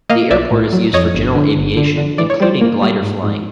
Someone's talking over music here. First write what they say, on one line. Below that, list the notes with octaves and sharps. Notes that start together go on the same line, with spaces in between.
The airport is used for general aviation, including glider flying.
A#3 D#5 F5
B1 D5 E5
A2
F#3
F2 C#5 D#5
G1
D3
G1
D3
D3
E3 D5
C#5
G3 C5 D5
A#3
G3
G#2
G#2